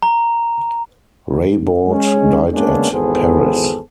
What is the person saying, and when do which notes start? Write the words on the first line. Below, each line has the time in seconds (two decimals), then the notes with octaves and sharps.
Reybaud died at Paris.
0.02 A#5
1.88 G#3 C#4
2.54 G#3 A#3 B3 C#4 D4
2.92 G#1 E2 B3 G#4 A4 C5